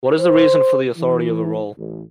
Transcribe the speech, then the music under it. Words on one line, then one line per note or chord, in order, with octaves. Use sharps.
What is the reason for the authority of her role?
C5
E3
A1